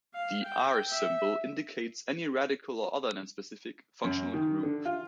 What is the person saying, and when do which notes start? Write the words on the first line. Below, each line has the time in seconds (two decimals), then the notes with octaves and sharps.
The "R" symbol indicates any radical or other non-specific functional group.
0.15 F5
0.45 G5
0.90 E5
4.04 F#2
4.34 D#3
4.63 D3
4.85 F4